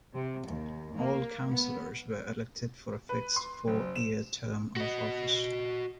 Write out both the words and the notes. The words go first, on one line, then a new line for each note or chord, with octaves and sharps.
All Councillors were elected for a fixed four-year term of office.
C3
D#2
A#3
B3
B4
C6
F#1
E7
F#4 D#5